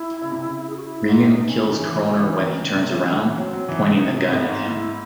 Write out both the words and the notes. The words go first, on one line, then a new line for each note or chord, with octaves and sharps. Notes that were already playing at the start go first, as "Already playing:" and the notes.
Regan kills Kroner when he turns around, pointing the gun at him.
Already playing: E4
C#3
C3
C#3
G#4
F#4
E4
G#2
D#4
A2
C3
C#3 C#4
D#3
E3
F#3
E3
E3
D#3
C#3
C3 G#3
F#3
E3
A3
E3
C#4
F#3 C4
F#3
E3 D#4
C#3
C3
C3
A2
G#2
E4